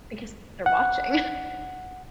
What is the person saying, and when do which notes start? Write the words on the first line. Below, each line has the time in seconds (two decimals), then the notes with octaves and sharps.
Because they're watching.
0.66 F#5